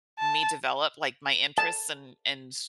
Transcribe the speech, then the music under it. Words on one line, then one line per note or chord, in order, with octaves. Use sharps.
me develop like my interests and and
A5
A5